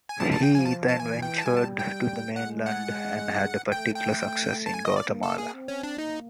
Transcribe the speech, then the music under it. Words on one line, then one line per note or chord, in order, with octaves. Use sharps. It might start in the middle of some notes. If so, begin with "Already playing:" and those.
He then ventured to the mainland and had particular success in Guatemala.
G#5
A5
A5
G5
F3 G#5
A5
A5
E3 G#5
G5
A5
G3 G#5
A5
G5
G#3 F#5
F#5
A3 G5
G5
A5
G#5
D#5
D5
A#3
A4
G#4
C4
C#4
D4
A#3 D#4